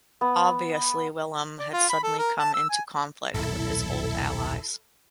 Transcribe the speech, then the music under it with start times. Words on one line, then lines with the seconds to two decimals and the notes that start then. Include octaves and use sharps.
Obviously Willem had suddenly come into conflict with his old allies.
0.21 B3
1.59 D5
1.73 F4
1.90 B5
2.03 A4
2.19 A#4
2.39 A5
2.54 E6
2.70 G#5
3.34 D#1 B1 F#2 E4 A4